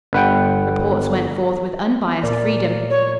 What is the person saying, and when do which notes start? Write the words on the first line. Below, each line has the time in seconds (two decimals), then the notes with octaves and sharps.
Reports went forth with unbiased freedom.
0.13 G1 B4 F#5 G5
2.23 A#2 A#4 D5
2.90 C#5